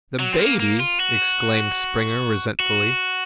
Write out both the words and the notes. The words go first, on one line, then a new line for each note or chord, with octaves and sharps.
"The baby!" exclaimed Springer resentfully.
F#3
C4
A#3
A#3
F4
F#4
F#4